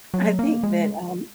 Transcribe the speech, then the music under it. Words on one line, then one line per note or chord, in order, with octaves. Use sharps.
I think that, um
F#3
A#3
G#3